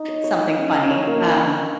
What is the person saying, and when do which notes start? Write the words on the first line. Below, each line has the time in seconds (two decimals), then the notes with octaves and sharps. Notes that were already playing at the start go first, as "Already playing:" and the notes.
something funny, um,
Already playing: D#4
0.08 C#5
0.24 C#5
0.41 F5
0.58 C#4
0.73 F5
0.91 C#5
1.07 A#3